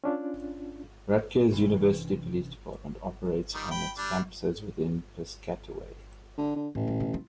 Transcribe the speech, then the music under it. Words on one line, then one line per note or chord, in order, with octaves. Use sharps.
Rutgers University Police Department operates on its campuses within Piscataway.
C#4 D4 F4
G2 C3 E3 C#4
D#3 G3
G5 B5
G3 D4
D3
D3
A1 A2
A#2
B2
E4 F4